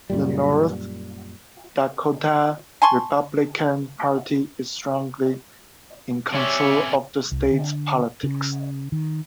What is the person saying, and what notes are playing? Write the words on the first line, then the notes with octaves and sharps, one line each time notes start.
The North Dakota Republican Party is strongly in control of the state's politics.
F#2 A#2 G3
G#5 A5 C6 C#6
C3 C#4 C#5 D5 E5
C2
D3
C#3
D#3